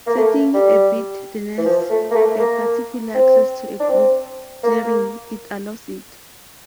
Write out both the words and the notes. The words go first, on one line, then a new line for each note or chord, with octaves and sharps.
Setting a bit denies a particular access to a group; clearing it allows it.
A#3
A3
G3
E3
F3
A3
A#3
A3
A#3
C4
D4
C4
A#3